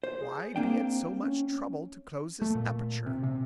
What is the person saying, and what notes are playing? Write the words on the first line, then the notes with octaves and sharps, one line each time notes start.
"Why be at so much trouble to close this aperture?"
C5
G#4
A#3 C4 D4 G5
C#4
A3
A#2
C3
C3